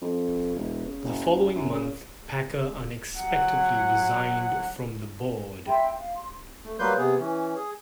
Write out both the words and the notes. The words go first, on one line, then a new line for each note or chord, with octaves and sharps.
The following month Packer unexpectedly resigned from the board.
F2
E1
C#3
F#1
F#2
C#3
F#3 F#5
E5 G5 B5 C6
F5
C6
A3
F#3 G3 A#3 B4 C6 G6
C3 B3 G#4
E3 C#4
G#4